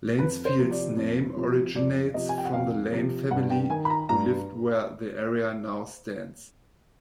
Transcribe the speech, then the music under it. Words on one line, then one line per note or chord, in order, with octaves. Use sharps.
Lanesfield's name originates from the Lane family who lived where the area now stands.
F2 B4
C5
C3 F3
D5
F2
C3 F3
F2 D5
C3 F3 D#5
G#5
G5
F#5
F2 F5
C3 F3
G2 F#5
G5
D#3 G#5
B5
A#5
G2 A#5